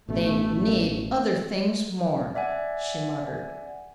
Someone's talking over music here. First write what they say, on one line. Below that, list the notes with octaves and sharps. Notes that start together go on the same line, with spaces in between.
"They need other things more," she muttered.
A1 B2 E3 A3
D5 E5 F#5 G#5